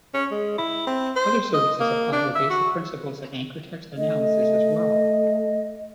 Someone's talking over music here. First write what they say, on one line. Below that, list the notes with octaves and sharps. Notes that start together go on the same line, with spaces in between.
Other services apply the basic principles of anchor text analysis as well.
C#4
G#3
E4
C4
C5
D#5
A#3
D4
E5
F#4
A3 D#5